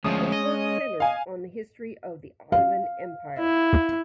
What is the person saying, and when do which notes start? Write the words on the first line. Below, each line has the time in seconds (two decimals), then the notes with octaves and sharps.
His work centers on the history of the Ottoman Empire.
0.04 D2 F3 G#3 C#4 D#6
0.32 D#5
1.00 F5 G#5
2.52 F5
3.38 E4